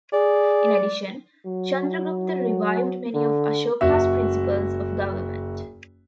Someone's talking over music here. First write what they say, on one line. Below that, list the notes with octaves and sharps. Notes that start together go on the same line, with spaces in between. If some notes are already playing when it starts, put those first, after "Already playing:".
In addition, Chandragupta revived many of Ashoka's principles of government.
G#4 D5
F#3
D3
F#1 F#4 E5